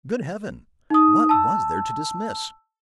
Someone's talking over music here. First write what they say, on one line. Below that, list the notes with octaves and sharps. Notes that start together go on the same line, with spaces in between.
Good Heaven, what was there to dismiss!
D#4 D#6
A5 E6